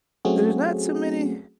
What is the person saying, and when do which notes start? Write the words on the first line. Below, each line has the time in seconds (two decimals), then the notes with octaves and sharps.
there's not too many
0.25 F#3 A3 C4 C#4 F#4 G#4